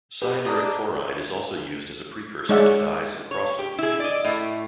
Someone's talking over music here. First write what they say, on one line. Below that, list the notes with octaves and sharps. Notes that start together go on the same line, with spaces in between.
Cyanuric chloride is also used as a precursor to dyes and crosslinking agents.
G4 B4
D5 D#5 A5 A#5 D#6
G#3 D#4 C#5 D5 E5 F#5
C#5
G4
E4 G#4
D5 D#5
A2 A3